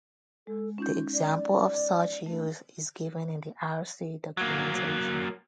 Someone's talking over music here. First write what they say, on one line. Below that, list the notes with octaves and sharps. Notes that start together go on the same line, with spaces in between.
The example of such use is given in the rc documentation.
G#3 A4
C#4 D#4 F4 G6
D5
A3 D4
F#3 A#3